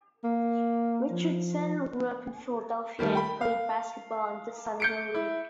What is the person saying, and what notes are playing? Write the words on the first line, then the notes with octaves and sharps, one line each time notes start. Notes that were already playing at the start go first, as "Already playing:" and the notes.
Richardson grew up in Philadelphia, and played basketball in the Sonny Hill League.
A#3
F3
D#3 G3 A3
G5 B5
F5
G6 C#7 D7
E4